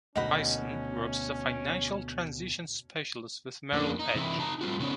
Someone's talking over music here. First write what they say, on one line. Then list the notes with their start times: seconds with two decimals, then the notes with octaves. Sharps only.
Hyson works as a financial transition specialist with Merrill Edge.
0.16 D2 B2 C#4 D#4 F#5 B5
3.73 F2 A#3 C#4 D4
3.99 D#4
4.15 C3 E3 E4
4.39 D#4 A5 A#5
4.61 G3 C4 F4 F#4
4.80 C#3 B3 C#4 D#4 C5 C#5